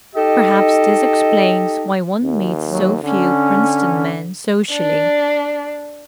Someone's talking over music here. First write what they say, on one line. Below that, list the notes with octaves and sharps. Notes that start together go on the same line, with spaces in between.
Perhaps this explains why one meets so few Princeton men socially.
D#4 G4 A4 D#5
D#2
F#3
D3 C#4
D4